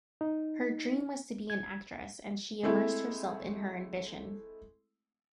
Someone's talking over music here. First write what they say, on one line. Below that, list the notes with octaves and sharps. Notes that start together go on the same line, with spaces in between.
Her dream was to be an actress and she immersed herself in her ambition.
D#4
G#6
G#3 A3 C4 E4 A4